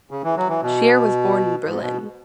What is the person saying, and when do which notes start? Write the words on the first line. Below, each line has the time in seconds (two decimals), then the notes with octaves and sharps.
Scheer was born in Berlin.
0.11 C#3
0.24 E3
0.37 F#3
0.49 E3
0.63 B2
1.66 G#2
1.82 B2